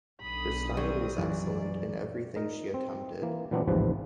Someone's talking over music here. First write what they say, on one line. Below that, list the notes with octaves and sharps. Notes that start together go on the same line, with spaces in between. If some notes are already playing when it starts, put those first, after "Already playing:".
Her style was excellent in everything she attempted.
B1 D3 B5 D#6
F#3 G3 C4
F#2 A#2 E3 D5
D#4 A#4 A#5
C4
E3 A#3
A#2 E3 F#3 B3 C4 D4
A1 D#2 G#2 C3 F3 B4